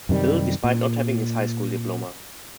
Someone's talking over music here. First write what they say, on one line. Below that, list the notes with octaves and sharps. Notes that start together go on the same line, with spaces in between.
Bill, despite not having his high school diploma.
F#2 C3 D#3 G3
A#2